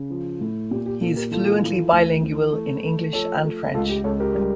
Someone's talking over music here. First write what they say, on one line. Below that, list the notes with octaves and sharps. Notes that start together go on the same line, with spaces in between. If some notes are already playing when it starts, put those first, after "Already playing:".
He is fluently bilingual in English and French.
Already playing: C#3
F3
A2
A#2 G4
G4
A#2 F4 A4
G4 A#4
E3 F4 A4
E3
D2
E3
A3
A3
F3 A4 C#5
A3
C#2 F4 A4
G4
C#2 A4 C#5
G4 A#4
G3